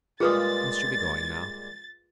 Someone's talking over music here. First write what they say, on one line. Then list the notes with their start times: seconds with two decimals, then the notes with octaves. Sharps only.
Must you be going now?
0.20 A#2 G3 G#3 F4 G#4 B4 D#6 A6